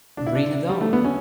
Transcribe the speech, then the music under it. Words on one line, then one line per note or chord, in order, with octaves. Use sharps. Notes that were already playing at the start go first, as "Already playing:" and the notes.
Ring a dong!
D4
E4
D4
G3
A3
B3
C#4